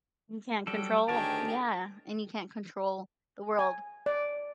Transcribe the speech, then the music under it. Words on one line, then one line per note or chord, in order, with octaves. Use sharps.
You can't control? Yeah, and you can't control the world.
F#3 G3 A4 G5
D2 D#3 G4 G#4 A#4 C#5 G5 A5
G#5
D5